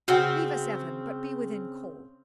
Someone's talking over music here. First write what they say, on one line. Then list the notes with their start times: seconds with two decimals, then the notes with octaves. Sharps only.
Leave us, Evan, but be within call.'
0.08 C#3 C4 F#4 F#5 G5